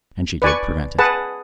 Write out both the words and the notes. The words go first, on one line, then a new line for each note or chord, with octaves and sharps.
And she did prevent it.
B4 D5 G#5 C#6
G#4 B4 F#5 A5